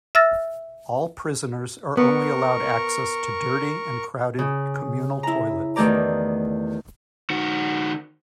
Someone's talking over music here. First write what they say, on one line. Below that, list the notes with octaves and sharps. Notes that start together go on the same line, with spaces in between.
All prisoners are only allowed access to dirty and crowded communal toilets.
E5 E6 F6 A6 A#6
B3 A#4 C#6
C#3
E4 A#5
E2 D#3 A3 G4 D5 A#5
D#3 F#4